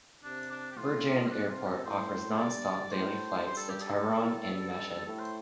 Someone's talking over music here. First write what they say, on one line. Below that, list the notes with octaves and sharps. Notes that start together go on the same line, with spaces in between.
Birjand Airport offers non-stop daily flights to Tehran and Mashhad.
C3 D4
D4
G4
A2 F4
C4
C3 D4
F4
A4
A2 C5
C5
G2 D5
A2 C5
G2 C5
A4
G4
A4
A2
G2
A2 A4
C5